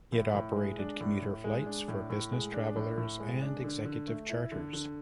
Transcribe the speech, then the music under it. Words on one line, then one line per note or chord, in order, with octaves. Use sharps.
It operated commuter flights for business travellers and executive charters.
A2
A2
G#3
D4
A2
A2
G#3
D4
A2
A2
G#3
D4
A2
A2
G#3
D4
D3
D3
A3
E4
D3
D3